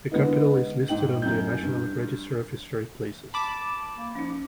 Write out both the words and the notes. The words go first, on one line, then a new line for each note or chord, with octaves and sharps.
The Capitol is listed on the National Register of Historic Places.
D3 G#3 B3 D#4
G#2 D#4 G5 F#7
F#2 E4 G6
G2
A5 B5 D6
A#3
F3 C#4 D#4